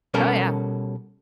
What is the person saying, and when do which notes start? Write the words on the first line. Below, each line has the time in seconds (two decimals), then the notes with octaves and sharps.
Oh, yeah.
0.14 B2 G3 C#4 A4 A#4